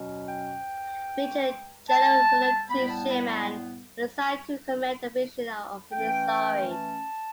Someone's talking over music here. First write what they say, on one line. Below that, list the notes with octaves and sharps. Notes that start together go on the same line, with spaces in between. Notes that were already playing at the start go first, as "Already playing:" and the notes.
Major General William T. Sherman was assigned to command the Division of the Missouri.
Already playing: B2 F#3 C#4
G5
A5
A2 G3 B3 B5
A5
B5
B5
E3 A3 C#4 G5
A5